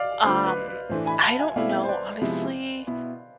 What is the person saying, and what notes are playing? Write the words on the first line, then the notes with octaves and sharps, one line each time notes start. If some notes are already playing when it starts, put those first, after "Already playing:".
um, I don't know. Honestly,
Already playing: D5 F5
D3 A3 D4 F4 C5
B4
B4
A2 E3 A3 D4 C5
G#5 B5
F5 A5
E5 G#5
B2 A3 C4 E4 D5 F5
C5
B4 D5
C3 F3 G#3 B3 E4
B2 B3 E4